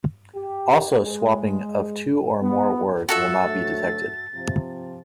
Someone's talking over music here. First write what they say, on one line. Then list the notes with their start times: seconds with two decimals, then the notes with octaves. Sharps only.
Also swapping of two or more words will not be detected.
0.35 G4
1.02 G#3
2.42 B3
3.09 F4 F#4 A4 E5 A6
3.43 D2 F#3 A3
4.35 C3 F3